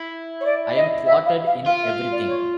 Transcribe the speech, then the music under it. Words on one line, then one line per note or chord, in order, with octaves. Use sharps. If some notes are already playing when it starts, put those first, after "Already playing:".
I am thwarted in everything.
Already playing: E4
C#5
D5
D#5
E5
F5
F5
F4 F5
E5
D5
C#5